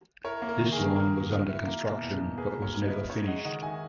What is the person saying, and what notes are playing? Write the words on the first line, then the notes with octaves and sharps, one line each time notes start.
This line was under construction but was never finished.
E4 A#4 C#5
A#3
A#4
D#3
G#4
D#3
A#3 A#4
F#3
D#3
E4
A#3
B2
E2
D#4
A#3 G#4 B4
F#3
A#4 C#5
C#3
B4 D#5
E4
D#4 C#5 E5
G#3 D#5 F#5
D#3 D#5 F#5
D#3 E5 G#5